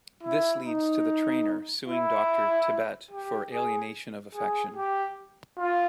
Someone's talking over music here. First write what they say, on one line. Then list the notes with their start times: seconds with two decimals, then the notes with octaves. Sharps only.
This leads to the trainer suing Doctor Tibbett for alienation of affection.
0.23 E4
0.64 D#4
1.88 E4
3.11 G4
3.53 G#4
4.35 G#4
4.76 G4
5.58 F4